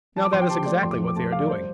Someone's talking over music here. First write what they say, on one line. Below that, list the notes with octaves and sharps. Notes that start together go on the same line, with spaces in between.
Now that is exactly what they are doing.
F3 A5
D6
F3 C6
G5
C3 A5
A3 D5
F2 C6
D6
F3
D6
A3 A5
C3 F5
D5
G3 C5